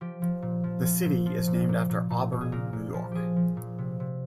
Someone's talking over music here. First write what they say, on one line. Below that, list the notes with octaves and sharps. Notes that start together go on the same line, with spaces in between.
The city is named after Auburn, New York.
F3 G4
F3
A#2
F3
F3
A#2
F3
A#2
A#2
A#2
A#2
A#2
G#4
A#2 A#4
A#2
F3
F3 G4 G#4
F3
A#2
C3
C3